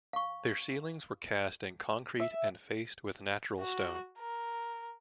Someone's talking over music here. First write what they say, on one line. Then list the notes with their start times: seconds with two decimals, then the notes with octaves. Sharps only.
Their ceilings were cast in concrete and faced with natural stone.
0.13 F5 C#6
2.20 E5
3.60 F#4
4.19 A#4